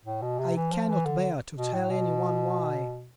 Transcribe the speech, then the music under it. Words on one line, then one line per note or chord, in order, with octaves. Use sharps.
I cannot bear to tell any one why.
A2
B2
C3
E3
F3
E3
D3
B2
A2
B2